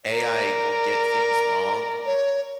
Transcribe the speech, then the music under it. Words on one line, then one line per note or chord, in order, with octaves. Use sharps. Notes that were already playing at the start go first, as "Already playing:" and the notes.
AI will get things wrong,
A#4 D5
C#5